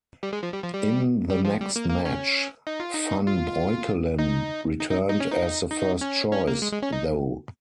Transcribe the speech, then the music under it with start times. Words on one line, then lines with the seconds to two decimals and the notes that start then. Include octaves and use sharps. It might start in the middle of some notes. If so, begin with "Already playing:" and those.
In the next match, Van Breukelen returned as the first choice, though.
0.23 G3
0.33 G#3
0.43 F3
0.53 G3
0.64 F3
0.73 G3
1.30 G3
1.45 F3
1.60 G3
1.76 A#3
1.90 A#3
2.05 C#4
2.67 D#4
2.80 F4
2.94 D#4
3.27 F4
4.19 D#4
4.79 D#4
4.90 D#4
5.10 D#4
5.20 C#4
5.32 D#4
5.71 D#4
6.01 C#4
6.32 C#4
6.47 A#3
6.62 G#3
6.72 G#3
6.82 C#4
6.93 D#4